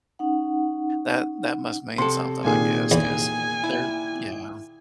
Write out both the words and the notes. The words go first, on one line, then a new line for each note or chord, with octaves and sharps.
that that must mean something, I guess, 'cause they're Yeah.
C#4 D#4 F#5
C3 A4 C6 C#7
A#2 D#3 G#4 G#5
E2 G#5
E4